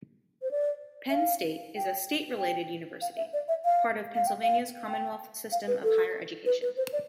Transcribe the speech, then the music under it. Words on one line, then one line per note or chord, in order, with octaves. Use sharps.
Penn State is a "state-related" university, part of Pennsylvania's Commonwealth System of Higher Education.
C5
D5
E5
F5
G5
G5
F5
E5
D5
E5
F5
F5
G5
F5
G5
F5
B4
A4
B4
B4
C5
D5